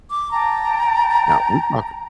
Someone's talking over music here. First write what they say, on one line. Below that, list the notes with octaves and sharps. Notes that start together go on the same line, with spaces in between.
Now we talk
D6
G5 A5 A#5